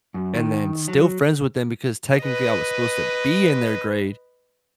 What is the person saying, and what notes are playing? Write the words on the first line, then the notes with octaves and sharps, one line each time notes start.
and then still friends with them because technically I was supposed to be in their grade,
F#2
D#3
F#3
B4 D#5